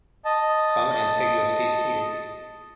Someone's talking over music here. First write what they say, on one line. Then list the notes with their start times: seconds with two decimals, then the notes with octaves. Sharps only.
Come and take your seat here.
0.25 D#5 A5